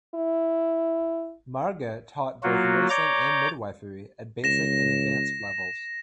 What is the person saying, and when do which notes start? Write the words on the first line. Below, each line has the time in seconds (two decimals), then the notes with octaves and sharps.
Marga taught both nursing and midwifery at basic and advanced levels.
0.14 E4
2.43 F#3 A#3 F4 F#4
2.90 C#5 D5 A#5 D6 G6
4.44 C#2 A#6 E7